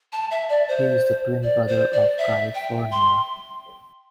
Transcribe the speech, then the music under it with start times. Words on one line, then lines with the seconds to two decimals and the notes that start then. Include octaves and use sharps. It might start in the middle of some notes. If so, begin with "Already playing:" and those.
He is the twin brother of Guy Fournier.
0.12 A5
0.31 E5
0.49 D5
0.68 C5
1.43 D5
1.67 C5
1.92 D5
2.17 E5
2.54 G5
2.91 C6